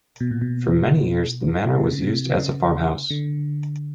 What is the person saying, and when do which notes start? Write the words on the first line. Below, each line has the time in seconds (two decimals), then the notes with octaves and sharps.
For many years the manor was used as a farmhouse.
0.20 B2
0.31 A#2
0.41 B2
1.65 C3
1.75 C#3
1.84 C3
1.93 C#3
2.02 C3
2.38 C#3
3.10 D3